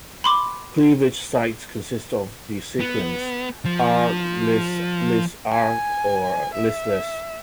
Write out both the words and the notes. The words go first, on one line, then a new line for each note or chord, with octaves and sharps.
Cleavage sites consist of the sequences Arg-Lys, Lys-Arg, or Lys-Lys.
B5 C6 D6
B3
F3
G#5
E5